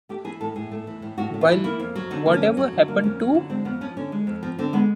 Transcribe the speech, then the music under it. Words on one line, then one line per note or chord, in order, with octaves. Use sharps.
While Whatever Happened to...
A3 G4
E3 G#4
A2 A4
A2 G#4
A3
E3
A2
A2 F#4
A3
F4
E3
A#3 E4
F2
F#3
D3 D#4
A#3
C#4
F2
F#3
D3
A#3
F2 C#4
F#3
D3
G#3 C4
F2 B3
F3 C#4
D3 C#4
G#3
F2
F3 C4
D3 C4
G#3 B3